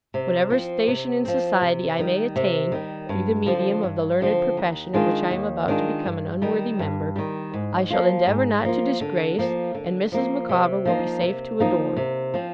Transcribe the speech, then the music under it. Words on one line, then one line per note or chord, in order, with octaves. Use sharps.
Whatever station in society I may attain, through the medium of the learned profession of which I am about to become an unworthy member, I shall endeavour not to disgrace, and Mrs. Micawber will be safe to adorn.
C3
F3 C4
C3
F3 C4
C3
D#3 G3
C3
D#3 G3
G2
D3 F3 C4
G2
D3 F3 C4
D#2
D#3 G#3 D4 F4
D#2
D#3 G#3 D4 F4
G2
D#3 G3
G2
D#3 G3
G#2
F3 A#3 F4
G#2
F3 A#3 F4
D3
F3 A#3
D3
F3 A#3
C3
F3 A#3 D#4
C3
F3 A#3 D#4
C3
F3 C4